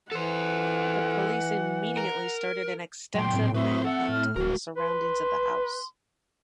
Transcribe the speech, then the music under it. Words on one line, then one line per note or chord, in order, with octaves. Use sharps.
The police immediately started an extensive manhunt on the surroundings of the house.
E3 A4 C5 F#5
A#4
A#2 F#3 G5 C6
A2 C4
C4 B4 C5 E5 C#6 D#6
A4 E5 F#5 E6
A2 F6
D1 G#3 F#4 A#4
B4 C6